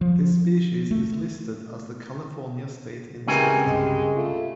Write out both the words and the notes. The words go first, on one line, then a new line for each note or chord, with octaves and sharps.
This species is listed as the California state insect.
F3
A3
C#3 E3 G#3 C4 G4 A#4 G#5
C2 G2 C3 G#3
A3 F4